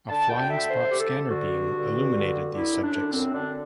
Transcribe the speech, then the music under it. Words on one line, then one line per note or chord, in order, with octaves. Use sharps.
A flying-spot scanner beam illuminated these subjects.
D3 A5
D2 G5
D3 E5
D2 C5
D3 G4
A4
D2
D3 F#4
G2
D3
G2
D3
G2
D3 E4
F#2
D4
D3
F#2 C4
D3 D4